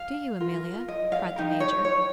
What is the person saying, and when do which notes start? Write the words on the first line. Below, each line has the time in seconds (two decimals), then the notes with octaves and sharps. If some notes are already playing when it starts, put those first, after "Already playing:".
"Do you, Amelia?" cried the Major.
Already playing: F5
0.40 F4 A#4
0.88 D#5
1.12 F5
1.36 D#4 G4 A#4
1.60 C#5
1.85 C#5